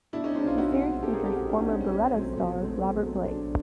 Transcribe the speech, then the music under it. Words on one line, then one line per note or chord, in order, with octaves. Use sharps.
The series features former "Baretta" star Robert Blake.
B2 D4 E4
C#4 D#4
G#3 C4 D4
D#4 F4
B2 E4 F#4
G#3 C4
B2 G4 A4
G#4 A#4
G#3 C4 G4 A4
F#4 G#4
B2 D4 E4
C#4 D#4
G#3 C4 C#4
C#4
B2 C#4
F#3 A3 C4
B2
F#3 A3 C4
B2
F#3 A3 C4
B2 D4